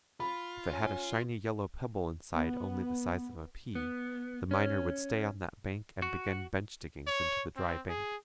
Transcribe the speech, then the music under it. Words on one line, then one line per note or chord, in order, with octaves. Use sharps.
If it had a shiny yellow pebble inside only the size of a pea, the miner would stay on that bank and begin bench diggings into the dry bank.
F4 B5
C#4
B3
B3
C#4
F#4
C#5
C4
G#4